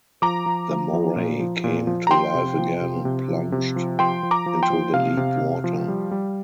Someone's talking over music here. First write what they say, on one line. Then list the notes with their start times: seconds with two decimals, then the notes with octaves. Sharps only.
The moray came to life again and plunged into the deep water.
0.22 F3 A#5 D6
0.46 F3
0.70 F3
0.93 F3
1.16 A#2
1.40 F3
1.64 A#2
1.87 F3
2.07 A#5
2.10 F3 G5 C6
2.34 C3
2.58 F3
2.81 C3
3.05 C3
3.29 F3
3.52 C3
3.76 F3
3.99 F3 G5 C6
4.23 F3
4.31 A#5 D6
4.46 F3
4.63 G5 C6
4.70 F3
4.93 C3 F5
5.17 C3
5.41 C3
5.64 F3
5.88 G3
6.11 G3